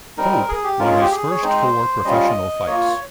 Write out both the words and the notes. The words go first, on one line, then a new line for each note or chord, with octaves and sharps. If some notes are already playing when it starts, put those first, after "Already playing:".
Hope won his first four professional fights.
G3 C4 D#4 A#4
G#4
G4
G#3 C#4 F4 A#4
G#4
G4
G#4
C#5
G#3 C4 D#4 C5
G3 C#4 F4 D#5
A#3 F4 C#5